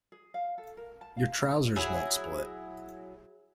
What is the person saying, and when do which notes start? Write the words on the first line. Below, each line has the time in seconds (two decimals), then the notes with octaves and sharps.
Your trousers won't split.
0.12 G#4
0.34 F5
0.58 A4
0.77 A#4
1.01 A5
1.17 F5
1.38 E4
1.76 F#3 E4 G#4